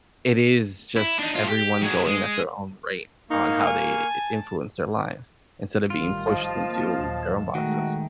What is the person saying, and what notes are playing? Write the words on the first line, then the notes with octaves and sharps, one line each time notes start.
it is just everyone going at their own rate on how they i influence their lives, instead of being pushed into their own boxes.
E4
D4 D#4
A2 F4
G4
F#3 G#4
G#3
A#3 D#4 F5 C#6
G#5
A5
A1 D#3 G3 F4
F3 D#5 F5 A5
A#3 C4
A#1 D#2 F#3
D#3 G#3 A3 F#4